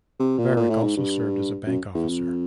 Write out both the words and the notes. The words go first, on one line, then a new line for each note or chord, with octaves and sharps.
Varick also served as a bank officer.
C3
A#2
A#2
A2
G#2
G2
F#2
E2
F2